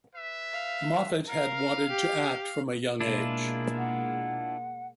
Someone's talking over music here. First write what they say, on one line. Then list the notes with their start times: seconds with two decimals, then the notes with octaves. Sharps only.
Moffatt had wanted to act from a young age.
0.14 B4 E5
0.53 F5
1.28 A#4 F5
1.89 G4
3.01 B2 G#3 A#3 D4 E4 F4
3.76 F#5